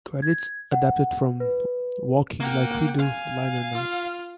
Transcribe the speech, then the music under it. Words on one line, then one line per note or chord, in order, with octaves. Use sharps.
Credits adapted from "Walking Like We Do" liner notes.
G#6
F#5
B4
A#3 F#5 G5
F5 G#5
F4 F6